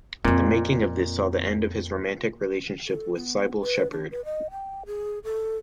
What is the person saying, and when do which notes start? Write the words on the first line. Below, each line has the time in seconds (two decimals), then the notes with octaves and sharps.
The making of this saw the end of his romantic relationship with Cybill Shepherd.
0.25 F2 A#2 C4
2.87 A4
3.15 B3
3.62 B4
3.91 D4
4.11 B4
4.25 D#5
4.51 G5
4.86 G#4
5.24 A4